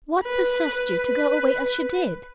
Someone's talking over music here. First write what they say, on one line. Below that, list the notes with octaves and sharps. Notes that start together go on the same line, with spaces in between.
What possessed you to go away as you did?
B4
B4